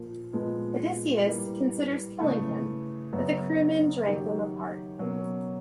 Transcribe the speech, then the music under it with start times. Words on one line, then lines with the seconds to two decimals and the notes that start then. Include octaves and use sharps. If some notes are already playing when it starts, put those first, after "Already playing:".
Odysseus considers killing him but the crewmen drag them apart.
Already playing: A#2 F3 A#3
0.33 A#2 F3 G#3 B3
1.26 E3 G3 A#3
2.20 C#3 E3 A3
3.12 F#2 C#3 F#3 B3
4.06 D#3 F#3 A#3 D#4 G4
4.98 B2 F#3 A#3 C#4